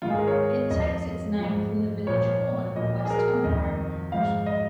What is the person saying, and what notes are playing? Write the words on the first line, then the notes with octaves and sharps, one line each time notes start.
It takes its name from the village Horn, west of Roermond.
G#2 D#3 F4
G#4
A#4
C#5
F2 F3 D#5
G#2 F3
A#2 F3 C#5
A#2 F3 D#5
G#4
A#4
F2 D#3 D#5
G#2 F3 F5
D#5